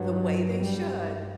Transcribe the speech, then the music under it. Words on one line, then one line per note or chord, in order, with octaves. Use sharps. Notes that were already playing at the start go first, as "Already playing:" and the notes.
"the way they should,
Already playing: G2 F#3
G2 G3